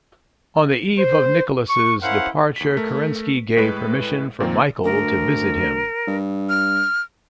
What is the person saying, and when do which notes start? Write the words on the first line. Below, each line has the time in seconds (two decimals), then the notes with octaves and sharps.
On the eve of Nicholas's departure, Kerensky gave permission for Michael to visit him.
0.98 C5
1.69 C#6
2.02 C#4 E4 A#4 C5 F5 F#5
2.56 D#2 B6
2.77 A3 A#4
3.57 A2 G#3 B4
4.40 A#2 D#3 A#3 C4
4.84 D2 A#4
6.08 G2
6.49 F6